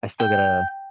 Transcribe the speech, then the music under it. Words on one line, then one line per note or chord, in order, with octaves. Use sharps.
I still gotta
G5